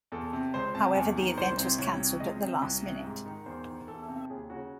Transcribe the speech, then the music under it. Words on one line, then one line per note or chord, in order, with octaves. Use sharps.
However the event was canceled at the last minute.
E2 A4
C3
C#2 C5
C3 A5
E2 G#5
D#3
C2 C5
C3 C5
C2 C#5
C3
C#2 D#5
C3
C2
C3
G#2
D#3
E2 C5
D#3
E2 A4
C3
D#2 G#4
C#3 F#4